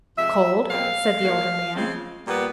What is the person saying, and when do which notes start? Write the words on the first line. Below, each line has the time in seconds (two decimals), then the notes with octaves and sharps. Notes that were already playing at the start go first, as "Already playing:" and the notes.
"Cold?" said the older man.
0.16 C3 F3 G#3 E5
0.68 A#2 F3 G#3 C4 F5
1.22 A2 F#3 A#3
1.74 C#3 F3 G#3 C4
2.26 A#2 G3 B3